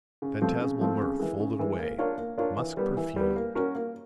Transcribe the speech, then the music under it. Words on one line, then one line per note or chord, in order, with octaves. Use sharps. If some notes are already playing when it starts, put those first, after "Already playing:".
Phantasmal mirth, folded away: muskperfumed.
C#3
F3 A3 C4
C#3
F3 A3 C4
C#3
E3 G#3
C#3
E3 G#3
A#3
D4 F4 A#4 C#5
A#3
D4 F4 A#4 C#5
E3
G3 B3
E3
G3 B3
A#3
C#4 F#4 A#4
A#3